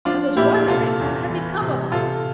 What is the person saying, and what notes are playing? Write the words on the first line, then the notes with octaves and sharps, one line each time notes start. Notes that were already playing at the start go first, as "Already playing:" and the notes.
"I was wondering what had become of you."
F3 D4 F4
A#2 E4 G4
C3 F4 A4
E2
E3
C3
C3 F4 A4